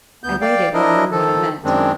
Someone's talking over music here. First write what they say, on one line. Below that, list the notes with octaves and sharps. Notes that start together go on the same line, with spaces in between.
I waited, wondering what it meant.
D2 B3 G6
D5 F5 G5
F3 D4 E4 A#4 D#5
D#3 F3 A4
F#2 D#3 G#3 C4 D4